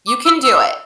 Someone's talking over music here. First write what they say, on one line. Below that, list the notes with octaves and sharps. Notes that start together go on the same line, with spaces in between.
You can do it.
D6
E6
E6